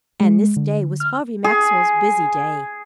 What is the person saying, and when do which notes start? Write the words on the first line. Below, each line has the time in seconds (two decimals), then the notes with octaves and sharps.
And this day was Harvey Maxwell's busy day.
0.20 G#3
0.56 D3
1.00 F6
1.44 G#4